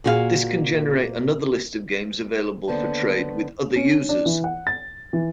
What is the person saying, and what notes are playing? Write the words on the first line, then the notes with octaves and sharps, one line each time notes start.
This can generate another list of games available for trade with other users.
A#2 A#3 F#4 G#4 A4 F5
D#2 D3 B3 C5 A5
C#4
D4
E3
F#5
A6
E3